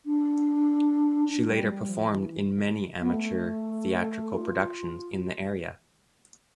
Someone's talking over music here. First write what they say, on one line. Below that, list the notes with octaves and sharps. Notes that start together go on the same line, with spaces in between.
She later performed in many amateur theatrical productions in the area.
D4
D4
G3
G3
F3
E3
B3
A3
F4